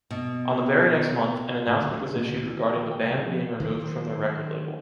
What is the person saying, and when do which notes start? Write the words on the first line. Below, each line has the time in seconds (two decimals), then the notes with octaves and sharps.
On the very next month, an announcement was issued regarding the band being removed from their record label.
0.11 B2
1.67 A2
1.79 D2
1.92 D3
2.16 A#2
2.28 D2
2.42 E3
2.63 D#5
2.75 E3
2.91 G5
3.03 C2
3.15 G#4
3.27 F3
3.60 D#3 E3 F#3 C5